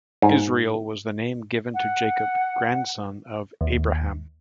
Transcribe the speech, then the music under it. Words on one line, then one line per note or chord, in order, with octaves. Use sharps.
Israel was the name given to Jacob, grandson of Abraham.
G#2
F#5
D#2